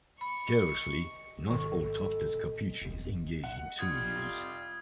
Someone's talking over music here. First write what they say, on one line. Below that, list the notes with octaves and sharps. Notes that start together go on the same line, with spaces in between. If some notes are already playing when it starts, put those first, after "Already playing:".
Curiously, not all tufted capuchins engage in tool use.
B5 C#6
G#1 D#3 A4
A#2
E1 D#2
F#5
G3 F4 D#6 G#6
F1